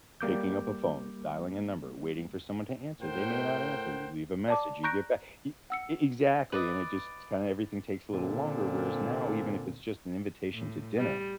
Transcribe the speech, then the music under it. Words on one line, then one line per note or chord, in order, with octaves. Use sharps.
picking up a phone, dialing a number, waiting for someone to answer, they may not answer, you leave a message, you get back e e exactly, and it just kind of everything takes a little longer, whereas now, even if it's just an invitation to dinner.
G3 A#3 D6 G6
A2 A#4 C5 F#5 G5
D5 A5 D6
A#5 C#6 F#6 G6 A#6 D7
F#5 E6 C#7
B4 D5 D#5
A#2 D3 C4
A2
G3